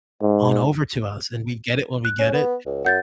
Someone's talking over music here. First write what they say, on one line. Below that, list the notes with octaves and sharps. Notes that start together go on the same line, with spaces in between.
on over to us, and we'd get it when we get it.
G#2
F#6
C#4
B3
C#2
F#2 F#5 G6 A6